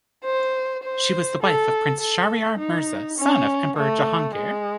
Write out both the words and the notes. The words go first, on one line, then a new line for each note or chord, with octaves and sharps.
She was the wife of Prince Shahryar Mirza son of Emperor Jahangir.
C5
C5
A4
A4
D#4
C#4
A3
G#3